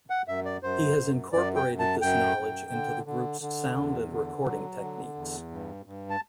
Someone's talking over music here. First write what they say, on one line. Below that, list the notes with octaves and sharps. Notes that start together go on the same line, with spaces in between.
He has incorporated this knowledge into the group's sound and recording techniques.
F#5
F#2 E5
D5
F#2 C5
F#2
F#2 D5
G5
F#2
A5
F#2 G5
F#2
D3
D3
D3
E2
D3
F#3
D3
E2
G2
G2
A5